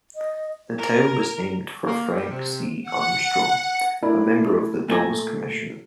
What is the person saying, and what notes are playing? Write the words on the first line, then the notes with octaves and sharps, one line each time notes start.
The town was named for Frank C. Armstrong, a member of the Dawes Commission.
D#5
A#4
A#3
G3
C3
F#5
A3 D4 E4 A#4 D5
A#2 A3 A4 G#5 A#5